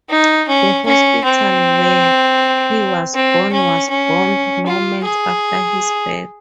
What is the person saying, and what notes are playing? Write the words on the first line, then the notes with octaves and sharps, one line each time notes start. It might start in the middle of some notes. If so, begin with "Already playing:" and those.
The hospital where he was born was bombed moments after his birth.
D#4
C#4
C#4
C4
C4
C#4
C#4
F4
G#4